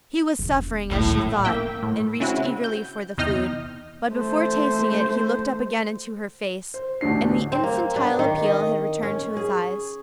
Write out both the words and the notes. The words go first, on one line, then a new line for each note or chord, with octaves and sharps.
He was suffering, as she thought, and reached eagerly for the food, but before tasting it he looked up again into her face, and the infantile appeal had returned to his eyes.
E1
F#2 A2 D#3
A#2
A#3 E5 G5
A2
C#3 C4 C#4 E4 F#4
G6
E2 C3 D#4 D#5 F6 G6
A3 C5
C5
A1 D2 D4 C7
C4
A#3
D4
D#3
D#5
C#4
G#4